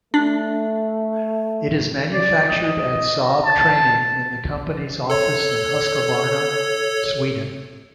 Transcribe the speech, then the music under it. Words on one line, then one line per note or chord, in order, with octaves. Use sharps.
It is manufactured at Saab Training in the company's office in Husqvarna, Sweden.
A3 D4
D5
D#5
A5
A4 C#5